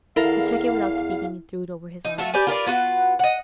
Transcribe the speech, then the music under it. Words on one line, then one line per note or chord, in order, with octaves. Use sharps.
He took it without speaking, and threw it over his arm.
E2 E4 A4 A#4 F5 A#5
D#4
A3 F4 F#4 E5
G4 B4 D5 G#5
F4 A#4 B4 D5
B3 F4 F#4
D#5 F#5